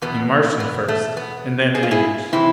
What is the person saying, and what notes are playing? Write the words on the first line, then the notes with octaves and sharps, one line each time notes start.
In Martian first, and then in English.
E2 B2 B3
B3
A3
B3
G#4
F4
E4 G#4
C3 E3 C4 E4